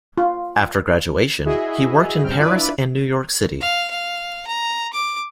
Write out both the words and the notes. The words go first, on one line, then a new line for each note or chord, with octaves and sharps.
After graduation, he worked in Paris and New York City.
F4
E4 F#4 G#4 D#5 E5
G2 C#3 C4 G5 F6
D4 E4 F4 B4 D5 E5
F5
F5
A#5
D6